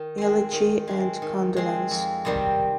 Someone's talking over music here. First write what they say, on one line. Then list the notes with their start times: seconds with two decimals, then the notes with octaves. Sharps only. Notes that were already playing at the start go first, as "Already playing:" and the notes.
Elegy and condolence.
Already playing: D#3
0.18 G#3 C4
0.52 D#3
0.88 G#3 C4
1.22 D#3
1.56 G#3 C4
1.91 F2
2.25 C3 D#3 G3 C4